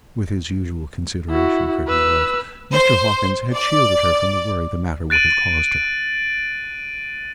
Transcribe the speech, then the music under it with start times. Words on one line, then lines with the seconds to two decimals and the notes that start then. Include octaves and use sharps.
With his usual consideration for his wife, Mr. Hawkins had shielded her from the worry the matter would have caused her.
1.30 E4 F#4
1.87 B4 E6
2.72 C5
3.55 D5
5.10 F#6 A6 D7 D#7 F#7